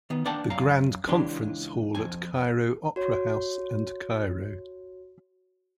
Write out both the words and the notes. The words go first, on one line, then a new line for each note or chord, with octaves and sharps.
The Grand Conference Hall at Cairo Opera House and Cairo.
D#3 B3
A#3 D4 D5 F#5 G5 A5
F#2 F5 A#5
C#2 E3 D4 G4 C6
F2 G#5
F#4 C#5